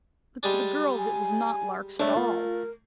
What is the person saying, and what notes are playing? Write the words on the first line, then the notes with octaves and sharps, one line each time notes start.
But to the girls it was not larks at all.
G3 G#3 D4
G#5
A3 D4 C#5 E5
F4 A#4